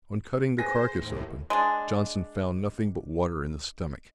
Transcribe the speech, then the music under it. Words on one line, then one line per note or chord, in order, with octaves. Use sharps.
On cutting the carcase open, Johnson found nothing but water in the stomach.
G#4 B4 C5 G#5 A#6
D#2 A2
G#3 D4